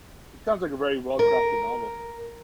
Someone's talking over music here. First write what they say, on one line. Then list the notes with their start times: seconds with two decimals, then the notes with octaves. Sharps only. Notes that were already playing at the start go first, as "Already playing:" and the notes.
It sounds like a very well-crafted novel.
1.19 A#4